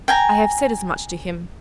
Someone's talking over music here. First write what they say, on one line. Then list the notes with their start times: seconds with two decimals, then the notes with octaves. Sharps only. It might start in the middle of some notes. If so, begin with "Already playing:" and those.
I have said as much to him.'
0.08 G5 G#5 A#5